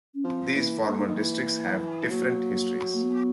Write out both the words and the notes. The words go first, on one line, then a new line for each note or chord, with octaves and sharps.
These former districts have different histories.
C#4
F3 C4
E3 A#3
D3 A#3
D#3
E3
F#3 A#3
A#3
B3